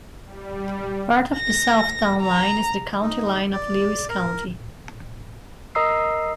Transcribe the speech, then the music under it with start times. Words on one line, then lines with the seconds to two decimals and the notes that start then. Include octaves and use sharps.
Part of the south town line is the county line of Lewis County.
0.25 G3
1.36 A#6
2.22 A#5
3.02 D#4
3.53 D5
4.09 A#4
5.75 A#4 D#5 A#5 D#6 E6 C7